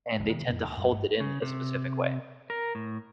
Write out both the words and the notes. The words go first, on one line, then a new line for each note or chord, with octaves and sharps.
and they tend to hold it in a specific way.
D#1 A#1 F2
C3 D#3 G#3 B3
F2 A#2
D2
F#2 A#2 G3
A1 G2 A3
C#3
C3
A#4
A2